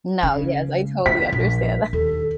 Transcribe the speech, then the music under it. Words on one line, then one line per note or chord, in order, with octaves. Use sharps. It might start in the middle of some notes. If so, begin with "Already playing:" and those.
No, yes, I totally understand that.
C#3
D3 B6
A#1
D#2 A4